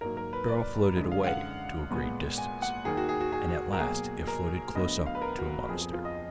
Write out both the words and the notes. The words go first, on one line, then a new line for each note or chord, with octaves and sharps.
The barrel floated away to a great distance, and at last it floated close up to a monastery.
G#2 F#3 A#3 A#4
A#4
B4
D5
F#2 D3 G#3
F5
F5
F#5
A#2 G#3 B3
G#5
F#5
D#2 D#3 A#3 G#4
F#4
G#4
F#4
G#4
F#4
A#4
B2 F#3 A#3 G#4
A#4
D2 D3 F#3 B3 D#5
F5
B4
A#4
F#4
F2 F3 B3 G#4
G#4
F4
D#5